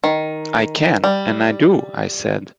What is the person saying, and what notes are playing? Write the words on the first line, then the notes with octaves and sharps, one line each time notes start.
"I can, and I do," I said.
D#3
G3